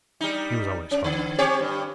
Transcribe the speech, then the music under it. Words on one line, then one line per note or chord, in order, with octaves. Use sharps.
He was always hard up.
G3 D#4
C#4
D3
C4 G4 C#5
G2